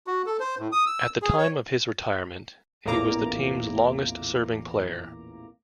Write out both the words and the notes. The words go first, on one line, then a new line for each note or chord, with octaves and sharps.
At the time of his retirement, he was the team's longest-serving player.
F#4
A4
C5
A2
D#6
E6
G#4
C#5
A1 E2 A#2 A#3 A#5 D6